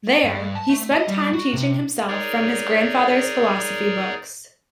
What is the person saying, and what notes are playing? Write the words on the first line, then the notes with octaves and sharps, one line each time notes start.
There he spent time teaching himself from his grandfather's philosophy books.
G2
A5
A3
D#5
G3
F#4
C3
D#4 G#4 A#4 C#5 D5